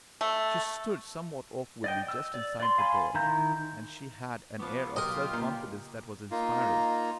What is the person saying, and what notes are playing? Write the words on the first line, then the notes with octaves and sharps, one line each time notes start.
She stood somewhat awkwardly just inside the door, and she had an air of self-confidence that was inspiring.
A3
D5 D#5 G5
E6
D5
D5 C6
F5 G#5 B5 C6
D#3 E4 A#5 G6
F3 B3 C#4 C#6 D6
B1 F4 G4 A#4 D#5
C#2 A#2
A#3 D#4 F4